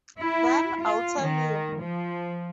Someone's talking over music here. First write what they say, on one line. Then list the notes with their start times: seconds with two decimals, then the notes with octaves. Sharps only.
Then I'll tell you.
0.18 E4
0.81 F4
1.20 D#3
1.79 F3